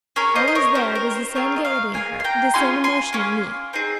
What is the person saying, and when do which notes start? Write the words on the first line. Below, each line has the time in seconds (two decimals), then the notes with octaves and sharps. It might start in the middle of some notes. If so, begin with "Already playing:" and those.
Always there was the same gaiety in her, the same emotion in me.
0.16 C#4 G#4 A#4 C#5
0.35 C5 D#5
0.48 D#5
0.55 A#4 C#5
0.75 C#4 G4 C5
0.95 A#4
1.11 A#4
1.15 C5
1.35 C4 F4 G#4 A#4 C#5
1.56 D#5
1.65 C#5 F5
1.94 A#3 F4 G#4 F5 G#5
2.20 C6
2.24 G5 A#5
2.54 C#4 F4 G#4 G#5 C6
2.84 G#5 C6
3.13 A#3 C#4 G#4
3.73 C4 D#4 G#4